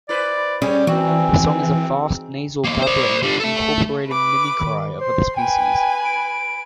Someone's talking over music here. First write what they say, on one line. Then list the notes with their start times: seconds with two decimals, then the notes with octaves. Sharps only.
The song is a fast nasal babbling incorporating mimicry of other species.
0.09 E4 B4 C5 D5
0.62 G3 C#4 G#4 C#5
0.87 G#2 E3 C4 F#4
2.64 E2 A#3
2.83 C5 D5
3.23 D3 G3
3.40 A3 A4
4.08 B4 D6
4.60 D#3
5.01 C5 C6
5.36 B4 G5 G#5
6.05 D7